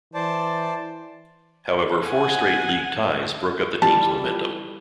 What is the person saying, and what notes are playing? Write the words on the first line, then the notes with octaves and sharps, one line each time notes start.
However, four straight league ties broke up the team's momentum.
E3 C5 D5 A5
F#5 G#5
E3 F3 G3 A5